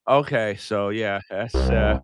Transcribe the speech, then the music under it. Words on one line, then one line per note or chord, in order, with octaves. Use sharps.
Okay, so, yeah, that's, uh
C2